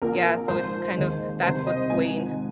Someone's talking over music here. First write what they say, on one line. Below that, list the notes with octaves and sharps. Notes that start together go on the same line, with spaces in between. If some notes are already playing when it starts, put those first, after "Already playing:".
Yeah, so it's kind of that's what's weighing
A#1 A#2 F3 A#4
G#1 G#2 F3 C5
D#2 D#3 G#3
C2 C3 D#3 C5
D#5
G#1 G#2 F3 G#5